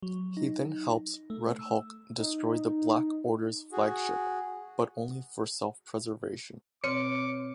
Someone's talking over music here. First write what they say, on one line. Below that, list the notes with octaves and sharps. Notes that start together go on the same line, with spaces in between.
He then helps Red Hulk destroy the Black Order's flagship, but only for self-preservation.
F#3
D#4
A3
E6
D#4
F#4 G#4
B2 C4 C#5 D6 F6 C#7